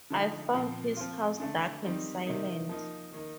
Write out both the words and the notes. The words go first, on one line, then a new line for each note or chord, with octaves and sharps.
I found his house dark and silent.
D3 F3 A3 D#4
A#2 F3 C4
F3 C4 F4
D3 A3 D4
D#3 G3 C4 D#4
C3 D#3 A#3 D#4
F3 A#3 D#4
D#3 A#3 D#4